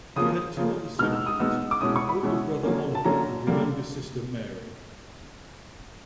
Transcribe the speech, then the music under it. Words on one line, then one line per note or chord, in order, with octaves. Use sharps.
She had two other siblings: her older brother, Oliver, and her younger sister, Mary.
C#3 F3 A#3 D#6
C#3 F3 A#3
B2 G#3 B3 D#4 F6
E6
D#6
B2 G#3 B3 D#4 E6
D6
B2 G#3 C#4 E4 D#6
C#6
B5
B2 G#3 C#4 E4
D3 F#3 A#3 C#4
A5
D3 F#3 A#3 C#4 A#5
D3 G3 A#3